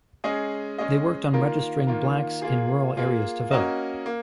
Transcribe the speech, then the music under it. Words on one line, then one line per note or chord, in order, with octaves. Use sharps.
They worked on registering blacks in rural areas to vote.
G#3 C#4 G#4 D#5
G#3 C#4 G#4 D#5
D#3 A#3 F4 A#4
D#3 A#3 F4 A#4
A#3 F4 G#4
A#3 F4 G#4
A#3 C#4 F#4 A#4 D#5
A#3